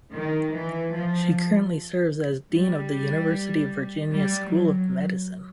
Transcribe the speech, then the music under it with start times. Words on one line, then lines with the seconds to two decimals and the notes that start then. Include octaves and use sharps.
She currently serves as Dean of the University of Virginia School of Medicine.
0.15 D#3
0.55 E3
0.94 F3
2.52 G3
4.10 G3
4.51 F#3